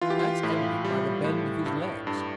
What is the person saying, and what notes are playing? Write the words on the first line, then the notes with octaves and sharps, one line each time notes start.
That's evident by the bend of his legs.
E3 F4
G4
F4
A2 E4
G3
A2
G2
G2